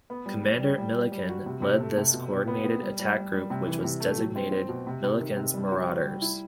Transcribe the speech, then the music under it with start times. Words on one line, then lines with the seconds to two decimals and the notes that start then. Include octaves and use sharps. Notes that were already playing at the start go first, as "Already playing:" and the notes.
Commander Millican led this coordinated attack group, which was designated Millican's Marauders.
0.10 B3
0.26 G3
0.43 G3
0.60 G3
0.78 G3
0.94 G3
1.12 G3
1.29 F#4
1.46 C3
1.62 C3
1.80 A3
1.97 C3
2.13 B2
2.31 B2
2.48 B3
2.64 B3
2.82 G3
2.99 G3
3.16 G3
3.33 G3
3.50 C3
3.67 E3
3.84 C3
4.00 A3
4.18 F#3
4.36 C4
4.52 C4
4.69 B2
4.87 C3
5.04 C3
5.21 D#3
5.37 C3
5.54 G3
5.72 F#4
5.89 F#4
6.05 G3
6.22 E4